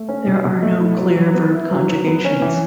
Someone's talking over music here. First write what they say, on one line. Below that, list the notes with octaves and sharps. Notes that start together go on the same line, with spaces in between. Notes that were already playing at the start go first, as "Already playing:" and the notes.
There are no clear verb conjugations.
Already playing: A3
C#4
B2
B2
A3
E4
F#3
F#3
B3
E4
F#3
F#3
B3
C#4
E3